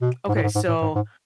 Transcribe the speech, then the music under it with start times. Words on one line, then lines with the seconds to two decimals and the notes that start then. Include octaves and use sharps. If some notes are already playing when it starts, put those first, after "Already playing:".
Okay, so
0.01 B2
0.28 G#2
0.35 A2
0.43 G#2
0.55 G#2
0.68 A2
0.82 G#2
0.95 G#2